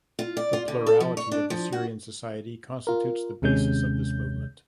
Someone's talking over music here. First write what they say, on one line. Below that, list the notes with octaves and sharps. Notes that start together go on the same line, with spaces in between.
The plurality of the Syrian society constitutes the basis of this movement.
F4
D5
F4
D3
A4
F3
C#5
D4
F3
F#4
F4 A#4
D#2 C3 G#3 C#4 G6